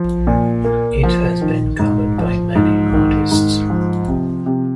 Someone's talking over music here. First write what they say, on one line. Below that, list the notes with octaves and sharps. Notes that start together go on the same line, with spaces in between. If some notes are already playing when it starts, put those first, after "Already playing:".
It has been covered by many artists.
Already playing: F3
A#2
A#3
F3
D#3
G#2
F3
G#2
D#3
G#2
F3
C3
C3